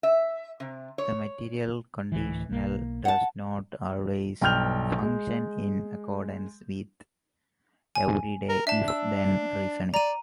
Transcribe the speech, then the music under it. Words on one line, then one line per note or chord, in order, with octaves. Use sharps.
The material conditional does not always function in accordance with everyday if-then reasoning.
E5
C3
C#5
D1 D2 E3
B1 A#3
F#5 A5
B1 G2 G5 F6 G6 F7
G#3
G#5
A#4
D4 E5 A5
E6
D5 A#5 D#7